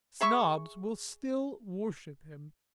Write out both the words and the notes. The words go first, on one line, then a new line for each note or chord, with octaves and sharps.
Snobs will still worship him.
G#4 E5 B5 C#6